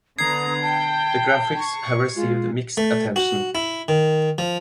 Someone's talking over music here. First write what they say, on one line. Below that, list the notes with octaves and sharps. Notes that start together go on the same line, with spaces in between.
The graphics have received mixed attention.
D3 B3 A#5 D#6 G#6 C7
G5 A5
C#6
G#3 F4
A3
F#4
E4
D#3
F3